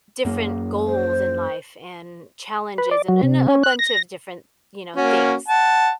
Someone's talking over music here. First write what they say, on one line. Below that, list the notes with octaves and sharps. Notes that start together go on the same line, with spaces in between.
different goals in life and challenges and and a bunch of different, you know, things.
F#2 A#3
C5
B4
D5
F#3
C3
C#4
F#6
A#6
A#3 C#4 F#4
F#5 A5